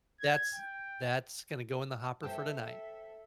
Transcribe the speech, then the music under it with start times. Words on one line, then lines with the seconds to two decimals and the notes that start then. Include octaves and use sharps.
"That's that's gonna go in the hopper for tonight."
0.20 G#6
0.54 G5
2.23 A4 C5 E5 G5 A5